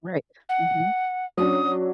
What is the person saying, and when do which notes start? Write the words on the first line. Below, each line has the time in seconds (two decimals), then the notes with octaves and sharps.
Right. Mhm.
0.49 F#5
1.38 F#3 C#4 D4 D#6